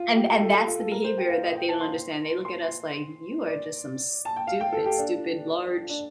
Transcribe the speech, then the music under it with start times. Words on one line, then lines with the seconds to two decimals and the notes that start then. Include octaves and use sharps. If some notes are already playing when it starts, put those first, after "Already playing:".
And and that's the behavior that they don't understand. They look at us, like, "You are just some stupid, stupid, large,
Already playing: F4
0.16 G4
0.32 G4
0.41 A4
0.54 G4
0.67 F4
0.80 A4
0.92 A#4
1.04 C5
1.18 G5
1.30 F5
1.43 D#5
1.55 G5
1.68 A5
1.81 C6
2.45 C6
3.46 D5
4.25 A5
4.36 G5
4.47 F5
4.61 G5
4.73 A4
4.86 G4
4.98 D4
5.90 D4